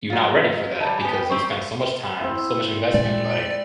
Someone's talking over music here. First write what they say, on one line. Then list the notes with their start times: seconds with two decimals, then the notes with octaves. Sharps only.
you're not ready for that because you spent so much time, so much investment like
0.10 F#3 F4
0.54 D#5
0.80 F#3 G3 A5
1.01 B3 G4 G#5
1.15 G5
1.30 C4 G4 C5 C#6
2.21 C4 E4
2.94 A#2 G#3 D5